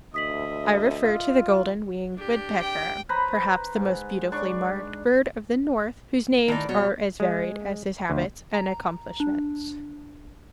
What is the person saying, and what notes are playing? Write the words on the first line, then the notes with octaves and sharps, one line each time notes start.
I refer to the golden-winged woodpecker, perhaps the most beautifully marked bird of the North, whose names are as varied as his habits and accomplishments.
D2 D#5 E5 D#6 B6 F#7
F4
D4 G4
G5
B4 C5 A#5 B5
G#2
D4 D5 C#6
A2 D#3 D#4 D5 A5 A#6
B2 F#3 G3 B3 C#5
G#3
D2
A#5
D4